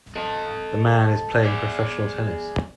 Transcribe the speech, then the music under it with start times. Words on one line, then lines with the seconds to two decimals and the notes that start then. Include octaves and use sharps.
The man is playing professional tennis.
0.16 A4 D#5
1.44 G#4 D5